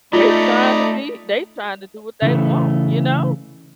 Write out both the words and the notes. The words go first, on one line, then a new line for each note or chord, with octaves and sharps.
They trying to be they trying to do what they want, you know,
A3 D#4 F4 D5 B5
C#3 E3 A3